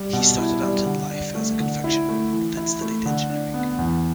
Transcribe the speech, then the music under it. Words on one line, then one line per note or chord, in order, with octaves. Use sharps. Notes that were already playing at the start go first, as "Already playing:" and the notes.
He started out in life as a confectioner, but then studied engineering.
Already playing: G3
B2
E4
G3
D3
D4
A3
D3
E4
A3
E3
E4
A3
D3
D4
B3
E2